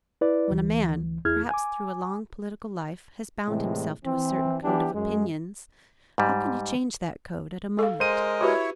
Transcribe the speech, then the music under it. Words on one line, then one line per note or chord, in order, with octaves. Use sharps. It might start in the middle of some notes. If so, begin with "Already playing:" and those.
When a man, perhaps through a long political life, has bound himself to a certain code of opinions, how can he change that code at a moment?
E4 B4 D5
D2 E3
E2 E4 G#4 F6 G#6
G#5 D6
A2 C3 E3 G#3
E3 C4
E3 B3 D4 G4
F#2 G#3
G#2 G3
A4 F5
G#3 A#4 C5 D#5 D#7
E4 F#4 G4 B4 C#5